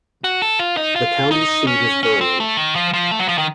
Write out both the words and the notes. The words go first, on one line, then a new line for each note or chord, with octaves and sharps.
The county seat is Vernon.
F#4
A4
F4
D#4
F4
D#4
C#4
C#4
C4
A3
D#3
F3
F3
A3
F#3
F3
D#3